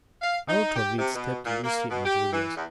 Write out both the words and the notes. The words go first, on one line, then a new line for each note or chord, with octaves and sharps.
Out of it stepped Lucy and Julius.
F5
D#4
G4
C3
B2
A#2
A#3
B2
G4
E3
E2